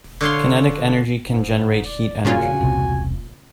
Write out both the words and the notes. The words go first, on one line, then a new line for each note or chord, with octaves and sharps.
Kinetic energy can generate heat energy.
D3 C#5 F5 C6
G#2
D5
A#2 C#3 F4 F#4 G#5
E1 C2 C3